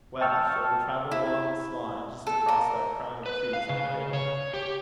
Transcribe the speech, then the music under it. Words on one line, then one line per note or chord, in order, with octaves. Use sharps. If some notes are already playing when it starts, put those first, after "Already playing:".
"Well, shall we travel along this line, just across that crown of trees on the hill?"
G5 A5 C#6 E6 F6
E4
A4
A#4
B4
F5
C#3
C#5
G4